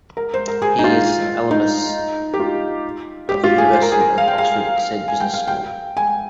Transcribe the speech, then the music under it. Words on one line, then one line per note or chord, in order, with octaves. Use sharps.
He is an alumnus of University of Oxford Said Business School.
A#4
C5
A#4
G#4
D#4
F4
D#4
G4
F4
G4
F4
G#4
C5
A#4
G#4
A#4
F5
G5
F5
G#5
G5
F5
G5
G#5